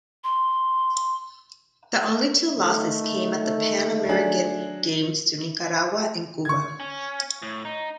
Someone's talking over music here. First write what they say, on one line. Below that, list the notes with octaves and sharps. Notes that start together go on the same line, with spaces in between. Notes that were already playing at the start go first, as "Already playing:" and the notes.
The only two losses came at the Pan American Games to Nicaragua and Cuba.
C6
D3 D#3 A3
F#3 D4 G#4
C#6 G#6
C#4
A2
D#4